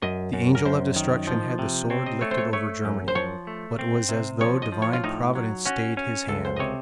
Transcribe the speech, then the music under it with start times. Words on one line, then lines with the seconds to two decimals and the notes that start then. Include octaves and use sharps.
The Angel of Destruction had the sword lifted over Germany, but it was as though divine providence stayed his hand.
0.02 F#2 D#5
0.33 F#2
0.55 A#4
0.65 F#2 C5
0.96 D#3
1.27 F3
1.59 C3
1.90 C4 C#5
2.06 D#5
2.21 A3 C#5
2.31 C5
2.38 C#5
2.53 A3 C#5
2.85 F#2
3.08 C5
3.15 F3 C#5
3.47 A3
3.79 C4
4.09 C3
4.41 F3 C#5
4.62 D#5
4.72 F3
4.82 C#5
4.93 F4
5.04 A2 D#4
5.35 F#3
5.66 C#4 F#4
5.97 C#4
6.28 C#2 A4
6.45 C5
6.56 C3 C#5 D#5